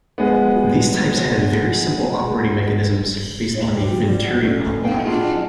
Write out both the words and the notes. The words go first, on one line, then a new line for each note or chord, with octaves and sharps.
These types have very simple operating mechanisms, based on a venturi pump.
G#3 B3
G4
G3
A3 C#4 C#5
B3 F5 G5
D4 D#4 F4 F#4 G#4